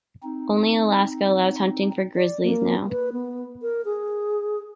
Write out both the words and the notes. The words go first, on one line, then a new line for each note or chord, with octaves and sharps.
Only Alaska allows hunting for Grizzlies now.
C4 D#4
D5
A#3
B4
B3
A#4
G#4